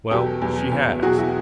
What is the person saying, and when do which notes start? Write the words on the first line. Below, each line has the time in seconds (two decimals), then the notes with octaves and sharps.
Well, she has.
0.11 E2 B2 F#3 G4 A4
0.42 E2 B2 F#3
0.72 E2 B2 F#3
1.02 E2 B2 F#3 F#4 G#4
1.18 E4 F#4